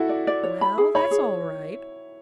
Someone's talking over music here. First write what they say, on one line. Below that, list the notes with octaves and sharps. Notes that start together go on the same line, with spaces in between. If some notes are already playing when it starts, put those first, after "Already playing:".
Well, that's all right.
Already playing: E4 F#4 A4
D5
D5
C#5
B5
G#4
C#5 B5
G#4